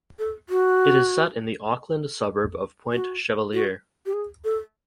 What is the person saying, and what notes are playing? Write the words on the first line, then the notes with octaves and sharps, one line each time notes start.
It is set in the Auckland suburb of Point Chevalier.
A4
F#4
F#4
F#4
G4
G#4
A4